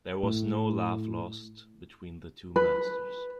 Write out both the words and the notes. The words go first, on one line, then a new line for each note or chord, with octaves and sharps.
There was no love lost between the two masters.
A2
B4